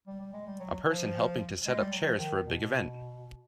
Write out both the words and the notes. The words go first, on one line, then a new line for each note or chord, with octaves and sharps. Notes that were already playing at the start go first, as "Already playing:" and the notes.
A person helping to set up chairs for a big event.
G3
G3
G#3
G3
F#3
F3
G#3
G3
F#3
F3
D#3
B2